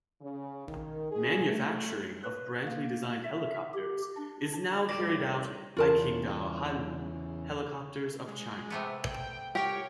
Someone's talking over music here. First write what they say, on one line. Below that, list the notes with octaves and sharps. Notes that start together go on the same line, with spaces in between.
Manufacturing of Brantly-designed helicopters is now carried out by Qingdao Haili Helicopters of China.
C#3
D#3
G#4
A3
B4
A#3
E5
G4
D4
A#1 D#2 A2 G3 G#4 D5 A#6
E2 C#3 F4 A#4 A5
G#3
C3 A3 B3
G5
G4 A#4 C#5 G5